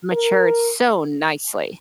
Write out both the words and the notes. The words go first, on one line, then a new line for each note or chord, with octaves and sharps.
matured so nicely.
A#4